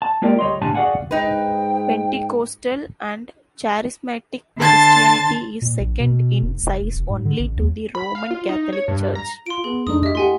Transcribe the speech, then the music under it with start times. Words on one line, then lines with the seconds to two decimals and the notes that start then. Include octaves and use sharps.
Pentecostal and Charismatic Christianity is second in size only to the Roman Catholic Church.
0.02 A5
0.22 G#3 A#3 F4 G4 A#4 D5
0.39 C#2 G3 C#5 D#5 C6
0.62 B1 A2 D3 G3 G#5 A5
0.74 F#4 G#4 D5 F5 F#5 G#5
1.11 G#2 D#4 B4 G5
4.57 D3 A5 C6 A6
5.62 A#2
5.80 A#1
6.00 B2
6.42 F1
6.63 F1
6.81 F1
6.96 F1
7.10 G#2
7.25 D3
7.39 A1
7.57 D#2
7.95 B5
8.15 F5
8.31 F4
8.49 D#4
8.73 C#5
8.88 G2
9.15 A#5
9.46 F4 C6 D7
9.64 B3 G#4
9.87 F2 A3 D4 D#4 D#6
10.03 G4 D#5 E5
10.15 A3 E4 G4 F#5 G#5 C6